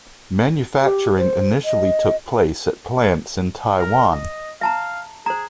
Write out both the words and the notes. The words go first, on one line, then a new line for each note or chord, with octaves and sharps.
Manufacturing initially took place at plants in Taiwan.
G4
C5
D#5
A#4
D#5
E5 F5 A5 A#5
G#4 C5 A#5